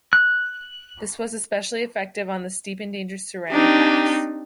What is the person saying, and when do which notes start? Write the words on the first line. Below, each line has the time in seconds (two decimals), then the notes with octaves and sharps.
This was especially effective on the steep and dangerous Surami Pass.
0.13 F#6
3.50 C4 D4 D#4 G4